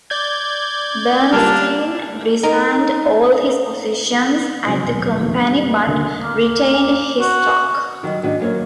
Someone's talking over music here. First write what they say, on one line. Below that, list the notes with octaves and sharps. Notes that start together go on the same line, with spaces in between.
Bernstein resigned all his positions at the company but retained his stock.
D5 G6 G#6
G3 A#3 D4 A5 F6
D#4 A#4 A#5
C#3 F#3 G#3 C4
D#1 B1
F1 A#1 D#2
G2
D#1 D2 D3 A#3
A#3
F#4
F#2 D#3 F#3 G3
G#2 D#3 D4 F#4
F#2 F#3 A#3 C#5